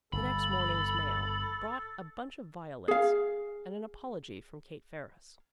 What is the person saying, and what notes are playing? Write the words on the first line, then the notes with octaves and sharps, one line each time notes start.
The next morning's mail brought a bunch of violets and an apology from Kate Ferris.
G1 A4 B5
G#4 F5